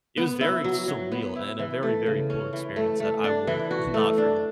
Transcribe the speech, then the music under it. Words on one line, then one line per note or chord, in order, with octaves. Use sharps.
it was very surreal and a very, very cool experience that I will not forget.
B3
E4
F#3
F#3
B3
E4
E3
A3
C#3
C#4
E3
A3
A3
D4
E3
F#4
A3
D4